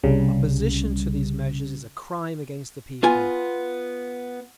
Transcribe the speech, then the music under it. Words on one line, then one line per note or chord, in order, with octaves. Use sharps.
Opposition to these measures is a crime against the People.
C2 C#3 G3
B3 F4 G#5